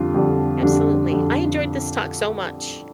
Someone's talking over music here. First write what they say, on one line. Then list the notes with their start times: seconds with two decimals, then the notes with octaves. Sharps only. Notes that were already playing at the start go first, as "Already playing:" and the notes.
Absolutely. I enjoyed this talk so much.
Already playing: F2 D3 G3 D4 F4
0.14 F2 D3 G3
0.62 F2 D3 G3 D4
1.11 F2 D3 G3